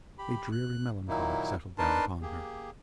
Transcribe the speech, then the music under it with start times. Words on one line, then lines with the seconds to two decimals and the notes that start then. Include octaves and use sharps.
A dreary, melancholy settled down upon her.
0.18 G4 B5
0.52 F#6
1.08 A#2 D#3 F#3 A#3 D#4 E4
1.78 D4 D#4 A#4 B4 A5 C6
2.22 A#3 G4 G#4